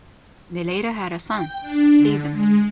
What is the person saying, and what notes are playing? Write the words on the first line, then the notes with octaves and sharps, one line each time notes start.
They later had a son, Steven.
G5
D4
D3
G#3